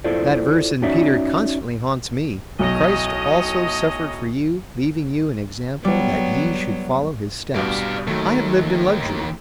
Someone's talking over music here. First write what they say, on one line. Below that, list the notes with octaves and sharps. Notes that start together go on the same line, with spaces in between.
That verse in Peter constantly haunts me: 'Christ also suffered for you, leaving you an example that ye should follow His steps.' I have lived in luxury.
E4 F4 A4 C5 D5
C#4 D#4 F#4 C#5 D5 E5
B1 A2 C#5 D#5
F#3 G3 B3 D5
G2 B2 G3 D5 F5
D#2 D#3 F#3 A3